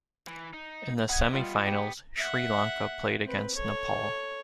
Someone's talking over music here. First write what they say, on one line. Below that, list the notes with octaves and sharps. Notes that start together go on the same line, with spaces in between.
In the semi-finals Sri Lanka played against Nepal.
E3
D#4
B3 D#5 F#5 G#6
G3 F4
G4
E5 F#5
C4 B4
A4 C#5